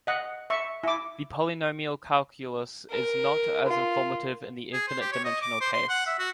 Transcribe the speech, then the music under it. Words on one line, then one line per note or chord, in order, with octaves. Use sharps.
The polynomial calculus is not as informative in the infinite-dimensional case.
D#5 F#5
E5 C#6
E4 D6
A#4
F4
G#4
C5
G4
C#5
D#5
D6
C5
C6
F#5
E5
F#4